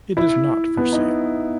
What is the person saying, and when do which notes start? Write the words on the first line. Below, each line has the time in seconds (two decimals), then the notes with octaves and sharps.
It is not for sale.
0.17 E4
0.77 B3
0.92 D#4